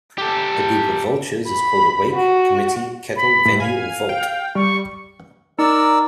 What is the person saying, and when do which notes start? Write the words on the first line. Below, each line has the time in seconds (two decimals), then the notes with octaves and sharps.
A group of vultures is called a wake, committee, kettle, venue, or volt.
0.18 G4 A4
1.47 B5
2.14 F#4
3.16 B5
3.46 A2
3.60 F5 G#5
4.09 G5
4.55 G3 C#6
5.59 D#4 A#4 D5 E6